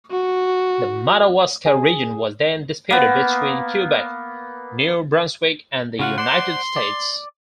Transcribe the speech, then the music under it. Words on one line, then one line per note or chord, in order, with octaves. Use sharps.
The Madawaska region was then disputed between Quebec, New Brunswick and the United States.
F#4
G#4
A#3 B3
C#3 F4 F#4 F#5
C5 D5 F#5 C6
D5